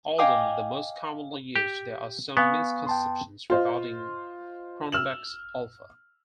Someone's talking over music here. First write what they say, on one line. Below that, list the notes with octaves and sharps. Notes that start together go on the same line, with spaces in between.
Although the most commonly used, there are some misconceptions regarding Cronbach's alpha.
D#5 F5 G5 G#5 D6 D#6
G4
B3 F5 G#5 C#6
G5 A5 C6
F4 C5 D#5
E6 F6 E7 F#7